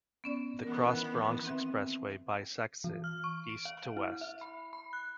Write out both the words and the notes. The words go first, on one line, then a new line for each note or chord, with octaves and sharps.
The Cross Bronx Expressway bisects it, east to west.
B3 C#4 D5
D#3 E3 B3 A#4
C4 E5
E3
F6
C#6
D7
F5
E4
E5
B5
B5
F#6